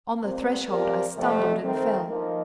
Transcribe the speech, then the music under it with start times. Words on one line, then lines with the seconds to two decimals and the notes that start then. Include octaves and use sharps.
On the threshold I stumbled and fell.
0.22 A#2 G3 C4
0.69 F3 C4 G4 A#4 D5
1.16 F2 C3 F3 A3
1.63 D#3 A3 C4
2.10 F3 A#3 D#4 A#4 D#5